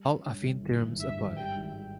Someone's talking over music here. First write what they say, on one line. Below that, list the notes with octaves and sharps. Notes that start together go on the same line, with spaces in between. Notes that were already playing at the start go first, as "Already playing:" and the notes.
All affine theorems apply.
Already playing: G3
C#4
G2
G1
E3
G#1
G2 E5
G#1
G3 G5
G#1
G#2